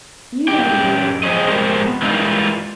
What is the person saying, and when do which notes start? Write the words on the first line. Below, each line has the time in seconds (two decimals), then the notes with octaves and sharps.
You know who is the father of lies, Margaret?
0.48 F#2 G4 G5
1.23 F3 C4 G4 G#4 C5 D#5
1.48 F2 G#3 G4 A#4 C5
2.02 E3 G3 G#3 A#3 D#4 F4